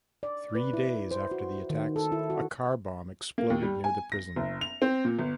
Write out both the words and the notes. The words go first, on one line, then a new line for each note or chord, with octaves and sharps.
Three days after the attacks, a car bomb exploded near the prison.
D5
B4
E4
C5
F#4
D#3
A4
E4
F#4
A#3
D#2
G3
G#5
A#6
F#1
F7
C4
A#2
G1